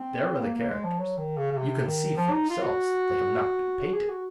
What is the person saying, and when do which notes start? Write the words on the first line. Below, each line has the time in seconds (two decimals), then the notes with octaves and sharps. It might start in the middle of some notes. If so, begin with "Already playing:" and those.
There are the characters: you can see for yourselves that they have not been painted.
Already playing: C4
0.39 A#3
0.53 A#3
0.69 G#3
0.84 F3
0.98 F#3
1.17 D#3
1.38 C#3
1.51 C#3
1.57 C3
1.87 D#3
2.17 F3
2.31 D#4
2.50 F4
2.61 F#4
3.93 G#4
4.09 F#4